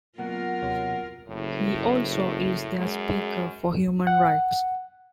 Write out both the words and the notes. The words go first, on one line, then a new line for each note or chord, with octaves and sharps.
He also is their speaker for human rights.
F#2 B2 A#3 F4 A#4 F#5
D#2 C3 C#5
F#1 A2
F#2 G#3
F#5